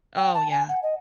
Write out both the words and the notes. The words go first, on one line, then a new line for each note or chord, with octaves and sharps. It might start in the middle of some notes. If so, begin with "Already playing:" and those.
Oh, yeah.
G5
A5
G#5
F#5
D#5